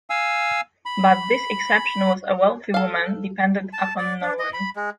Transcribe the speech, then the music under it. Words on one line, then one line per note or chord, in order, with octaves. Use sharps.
But this exception is a wealthy woman, dependent upon no one.
F5 G#5 E6
B5
A4 F5
A5
D5
D4
D#5
B5
G#3